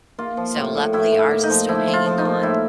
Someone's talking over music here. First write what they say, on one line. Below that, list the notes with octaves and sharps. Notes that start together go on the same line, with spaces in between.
So, luckily, ours is still hanging on,
A#3 F4
F3
A2
A2
A2 E4
A2
E4
A#3
D#4
F3
F3 E4
F3
F4
F3
D#4
A#3
A2 E4